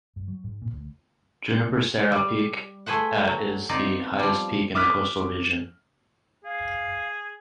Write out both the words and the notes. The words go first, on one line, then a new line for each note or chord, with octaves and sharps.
Junipero Serra Peak at is the highest peak in the coastal region.
G2
F#3
G#2
A#2
D2
G3
A3 G#4 B4 C5 F#5
F#3
B3 C4 D#4 D5 F5
F3 G3
D6 D#6 F6 F#6 B6
G#4 F5